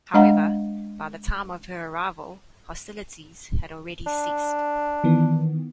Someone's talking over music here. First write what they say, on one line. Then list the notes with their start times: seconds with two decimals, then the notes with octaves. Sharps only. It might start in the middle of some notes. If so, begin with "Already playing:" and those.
However, by the time of her arrival, hostilities had already ceased.
0.14 G#3 D4 D#5 F5 F#5 A#5
4.07 D4
5.04 D#3 E3 B3